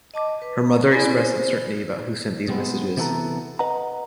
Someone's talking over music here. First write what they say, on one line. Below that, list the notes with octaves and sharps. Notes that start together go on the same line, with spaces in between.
Her mother expressed uncertainty about who sent these messages.
D#5 A5 D6
B4
A#5
C4 E4 D5 G#5 B5
C5
B2 G3 G#3 B3 C4
C3 E3 B3 A4 B4 A#5
B4 D#5 F#5 A#5